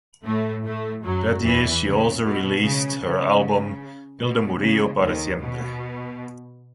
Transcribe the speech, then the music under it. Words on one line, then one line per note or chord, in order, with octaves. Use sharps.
That year she also released her album "Hilda Murillo para siempre".
A2 A3
A2 A3
F#2 F#3
E2 E3
C#3
B2
C#3
C#3
B2
C#3
D#2 D#3
B2